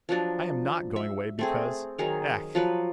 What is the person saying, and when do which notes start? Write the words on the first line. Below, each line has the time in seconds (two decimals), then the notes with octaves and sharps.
I am not going away because ... ech!
0.09 F3 F#3 D4
0.96 E5
1.39 A3 C4 G#4
1.98 D#3 F#3 G#4 A#4
2.55 F3 F#3 B4